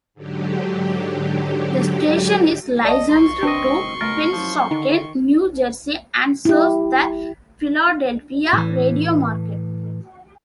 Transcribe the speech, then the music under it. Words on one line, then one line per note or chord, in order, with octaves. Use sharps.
The station is licensed to Pennsauken, New Jersey and serves the Philadelphia radio market.
G#2 D3 F#3 G4
A#1 D5 D#5 A5
C6 C#6
F#1 C4 D4 B4 D#5
C#2 B2 A3 A#4 A6
F#2 F3
D3 D#3 D#4
E4 G4
A2 E3